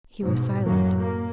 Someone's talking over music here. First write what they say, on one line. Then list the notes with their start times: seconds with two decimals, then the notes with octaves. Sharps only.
He was silent.
0.22 G#2 B2
0.65 F#2 A2 F#3 A#3
0.97 A#3